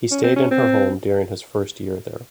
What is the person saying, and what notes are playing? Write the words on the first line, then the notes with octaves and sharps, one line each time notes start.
He stayed in her home during his first year there.
C#4
C4
C#4
C4